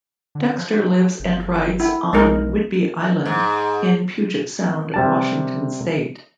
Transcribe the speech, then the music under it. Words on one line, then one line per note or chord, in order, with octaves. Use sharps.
Dexter lives and writes on Whidbey Island in Puget Sound, Washington state.
D3
F3
F#1
E4
B1 G#3 D#4 A#4
G#2
C3 G3 A5